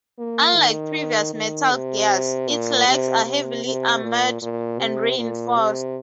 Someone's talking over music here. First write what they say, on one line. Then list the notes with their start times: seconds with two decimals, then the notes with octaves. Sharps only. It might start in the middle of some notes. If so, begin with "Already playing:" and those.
Unlike previous Metal Gears, its legs are heavily armored and reinforced.
0.19 A#3
0.57 D#3
1.34 D#3
1.72 C3
2.49 A#2
2.88 C3
3.26 C3
3.65 C3
4.03 A#2
4.42 A#2
4.80 C3
5.18 A#2
5.58 C3